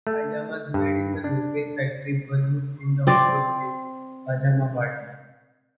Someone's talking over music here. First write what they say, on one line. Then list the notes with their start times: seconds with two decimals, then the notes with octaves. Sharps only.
Pajamas made in the Lopez Factories were used in the Hollywood Film, Pajama Party.
0.07 A3
0.74 G2
1.24 D4
3.07 C4 D5